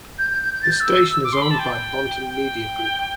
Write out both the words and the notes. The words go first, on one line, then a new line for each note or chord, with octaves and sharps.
The station is owned by Bonten Media Group.
G6
G6
G6
G6
A6
G6
E6
D6
C6
B5
A5
G5
G5